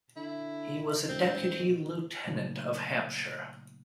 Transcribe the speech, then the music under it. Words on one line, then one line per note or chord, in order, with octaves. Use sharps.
He was a Deputy Lieutenant of Hampshire.
D3 E4
E1 C4
B2
A#2 C#3 F#3 A3 A#3 D#4